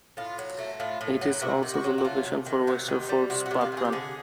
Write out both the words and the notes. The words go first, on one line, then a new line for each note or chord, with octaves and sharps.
It is also the location for Westerfolds parkrun.
A2 F4
F#3
A3
A2 F4
A2
F#3
C3 F#4
D#3
F#4
F#3
F#4
A3 F4
C3
D#3
C3 F#4
D#3
G3
C3 F#4
F#4
C3
F4
D#3
G#4
G4
D3 G#4